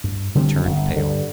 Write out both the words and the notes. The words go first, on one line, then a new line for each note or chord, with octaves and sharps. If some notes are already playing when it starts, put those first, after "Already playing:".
He turned pale.
G2
D3 G3 C4
G1
G2 D3